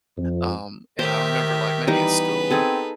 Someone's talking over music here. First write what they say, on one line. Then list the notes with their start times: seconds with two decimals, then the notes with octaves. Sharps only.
Um, and I remember, like, maybe at school,
0.17 F2
0.99 D#3 G4 C5 E5
1.87 E3 G3 B3 D#4 B4
2.51 C4 D#4 G#4 A4